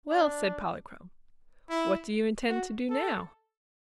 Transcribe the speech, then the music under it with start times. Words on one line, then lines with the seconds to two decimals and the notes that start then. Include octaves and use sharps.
"Well," said Polychrome, "what do you intend to do now?"
0.09 D4
1.69 E4
2.49 F#4
2.89 A4